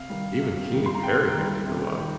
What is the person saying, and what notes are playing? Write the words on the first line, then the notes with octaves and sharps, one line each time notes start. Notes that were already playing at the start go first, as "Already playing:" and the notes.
Even Katy Perry got to go up,
Already playing: C3 F5
D#3 G3
C3
D#3 G3
C6
A#5
C3 G5
D#3 G3
C3
D#3 G3